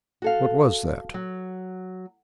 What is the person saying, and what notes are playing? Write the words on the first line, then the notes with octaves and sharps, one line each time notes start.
What was that?
F#4 A4 F5
F#3